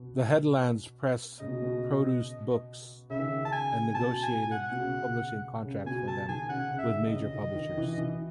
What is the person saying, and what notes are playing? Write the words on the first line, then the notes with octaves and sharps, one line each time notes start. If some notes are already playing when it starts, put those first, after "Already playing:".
The Headlands Press produced books and negotiated publishing contracts for them with major publishers.
Already playing: B2
C#3 D#5
B2
B2
C#3 E5
D#3
C#3
A5
G#5
B2 A5
G#5
F#5
B2
C#3
C#3
B2 G#5
A5
D#3 G#5
C#3 F#5
C#3
E5
D#3
D#5
C#3
D#3
D#3
E3
E3